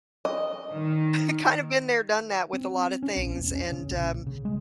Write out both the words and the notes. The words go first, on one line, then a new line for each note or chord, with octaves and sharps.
I kinda been there done that with a lotta things and, um,
D#5
D#3
C4
C#4
A#1
E1
C#4
C#3
A#1
C#3
G#3